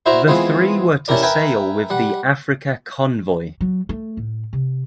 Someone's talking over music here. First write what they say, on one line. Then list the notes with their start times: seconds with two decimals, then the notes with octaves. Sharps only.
The three were to sail with the Africa convoy.
0.06 E4 F#4 C5 D5 E5 A#5
0.27 E3 G#3 B3 C4 F4
1.08 C#4 D4 E4 G4 A#4 D5
1.22 A#4 B4 E5 G5 G#5
1.90 G3 F#5
3.61 F#3
3.89 A3
4.17 A2
4.53 C3